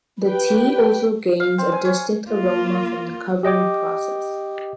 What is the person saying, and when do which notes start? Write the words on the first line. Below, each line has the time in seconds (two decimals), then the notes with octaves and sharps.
The tea also gains a distinct aroma from the covering process.
0.25 G4 B4 G5
1.40 F5
1.58 C4
1.72 G#5
1.85 C#5
2.28 A#3 F4
3.43 G4 D#5 G5 D6